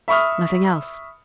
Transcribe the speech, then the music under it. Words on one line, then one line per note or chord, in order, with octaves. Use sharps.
Nothing else.
E5 B5 C#6 D#6 F6